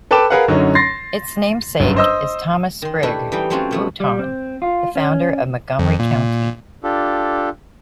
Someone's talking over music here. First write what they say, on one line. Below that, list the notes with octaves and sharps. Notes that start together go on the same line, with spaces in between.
Its namesake is Thomas Sprigg Wootton, the founder of Montgomery County.
A4 B4 G5 A5 D6 E7
G#4 A#4 B4 F5 F#5
F#2 D3 F#3 C#4 D#4
C6 A6 A#6 C7
G1 F#2
C5 D#5 E6
D#3 C6
A3 D4 E4 G4 A4 B4
E3 G3 D#4 A4 G5
F#3 A3 C4 C#4 F4 F#4
B2 A3 B3
G3
C4
F4
C#4
F2
A#2
D4 F4 G4 A4